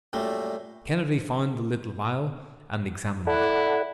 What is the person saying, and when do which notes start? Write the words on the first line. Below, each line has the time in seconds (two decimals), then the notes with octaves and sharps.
Kennedy found the little vial and examined it.
0.13 F#2 A#2 G3 A3
3.27 E4 A4 D5 F#5